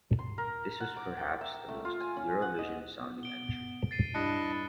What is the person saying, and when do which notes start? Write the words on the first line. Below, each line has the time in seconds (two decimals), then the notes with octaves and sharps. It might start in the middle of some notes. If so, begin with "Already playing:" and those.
This was perhaps the most 'Eurovision' sounding entry.
0.19 C6
0.38 A#4
0.80 F#5
0.97 D6
1.17 G5
1.41 E5
1.68 A3
1.85 F4
2.00 G#5
2.16 C#4
2.42 F#5
2.59 D#5
2.99 B3
3.23 D7 G7
3.91 A6 C7 D#7
4.14 G2 E4 D#5 A5 F#6 C#7